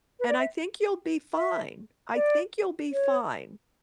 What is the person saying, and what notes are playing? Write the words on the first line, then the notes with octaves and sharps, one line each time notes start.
And I think you'll be fine. I think you'll be fine.
B4
D5
E5
E5
D5
C#5